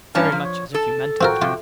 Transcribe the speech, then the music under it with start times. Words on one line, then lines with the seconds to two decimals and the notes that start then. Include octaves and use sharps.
"Very much as if you meant it."
0.15 G2 C#4 A#4 A5 F6
0.32 F3
0.44 C#5
0.74 A4 A5
1.21 C4 F4 F#4 A#4 G5
1.42 C3 F4